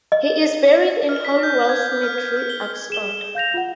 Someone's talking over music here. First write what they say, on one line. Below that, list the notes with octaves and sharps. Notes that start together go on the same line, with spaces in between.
He is buried in Holywell Cemetery, Oxford.
D#5
F6
B6
G6
G#6
F6
F6
G7
G#4 E7 G7
F5 G6 A#6 F7
F4 F#5